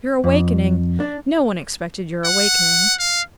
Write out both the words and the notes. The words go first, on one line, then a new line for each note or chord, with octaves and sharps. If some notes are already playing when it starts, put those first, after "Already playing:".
Your awakening--no one expected your awakening.
F2
D4
F#5
F5